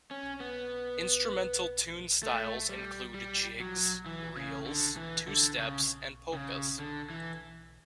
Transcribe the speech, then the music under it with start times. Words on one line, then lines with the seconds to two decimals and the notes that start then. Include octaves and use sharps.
Instrumental tune styles include jigs, reels, two steps, and polkas.
0.11 C#4
0.40 B3
2.23 A3
2.69 G3
3.14 G3
3.60 F#3
4.06 E3
4.36 C#3
4.66 D3
4.97 E3
5.28 D3
5.58 C#3
6.33 C#3
6.79 D3
7.10 E3